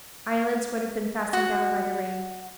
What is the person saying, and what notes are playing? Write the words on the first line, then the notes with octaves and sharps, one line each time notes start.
Eyelids would have been fastened down by the rain.
F#4